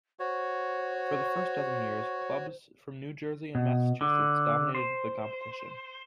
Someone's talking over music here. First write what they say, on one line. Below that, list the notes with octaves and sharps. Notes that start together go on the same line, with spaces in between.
For the first dozen years, clubs from New Jersey and Massachusetts dominated the competition.
F#4 C5 C#5
B2
D3
C5